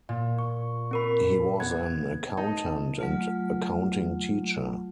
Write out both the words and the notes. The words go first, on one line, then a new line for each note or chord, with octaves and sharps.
He was an accountant and accounting teacher.
A#2
C#6
C4 A#4 B5
B3 G#6
D#4 A5
F#3 A3 F4